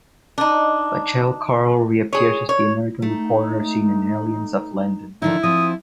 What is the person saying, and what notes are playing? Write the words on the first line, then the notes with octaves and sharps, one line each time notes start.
Lachele Carl reappears as the American reporter seen in "Aliens of London".
D4 D#4
G#4 C#5
C#5
A3 D#4
D3 D#3 F3 D#4 E4
F3 C4 D#6